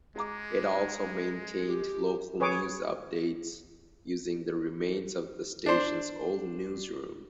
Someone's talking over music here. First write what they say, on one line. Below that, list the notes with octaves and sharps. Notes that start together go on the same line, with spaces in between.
It also maintained local news updates, using the remains of the station's old newsroom.
G#3 G#4 A#5 D6
G4
G#4 B4 C#5 G#5 D6
D4 C5